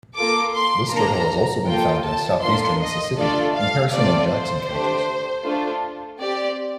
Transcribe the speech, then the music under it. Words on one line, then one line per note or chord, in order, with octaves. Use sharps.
This turtle has also been found in south-eastern Mississippi, in Harrison and Jackson counties.
A#3 F4 A4 D6
C6
A#3 D4 A4 A#5
A#3 F4 A4 G5
A5
A#3 D4 F4 A4 C6
D#5
A3 D4 F4 A4 D5
F5
A3 C4 F4 A4 D5
C5
A3 D4 G4
A3 D4 F4 A4
C4 G4 D5